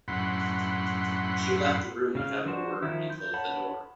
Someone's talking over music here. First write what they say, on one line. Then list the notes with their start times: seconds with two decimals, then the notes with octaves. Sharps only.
She left the room without a word and closed the door.
0.08 F#2 A2 F#5 B5 C6
2.15 C#3 F5 F6
2.46 F3 D4 F#4 C5
2.83 D#3 F3 E4
3.10 G6
3.34 C#5 F#5 A5 B5